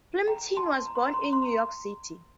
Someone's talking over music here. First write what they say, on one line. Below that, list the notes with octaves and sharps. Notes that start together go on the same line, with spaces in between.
Plimpton was born in New York City.
G5 A#5
A5 C6
A#5
C6
A#5
C6
A#5
C6
A#5